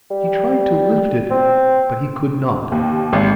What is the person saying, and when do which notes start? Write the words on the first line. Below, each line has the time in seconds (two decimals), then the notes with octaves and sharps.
He tried to lift it, but he could not.
0.11 G3
1.31 C4
2.72 D#2
3.13 G#1